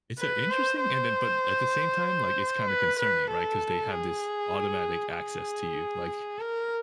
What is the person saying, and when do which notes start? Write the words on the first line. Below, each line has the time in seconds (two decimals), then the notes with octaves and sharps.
It's, uh, interesting, and then but at the same time, like, it's kinda concerning, right, 'cause they have this automatic access to you, like
0.19 B4
0.50 C5
0.81 C5
2.68 B4
2.99 B4
3.30 A4
3.91 G#4
5.15 G#4
6.39 A#4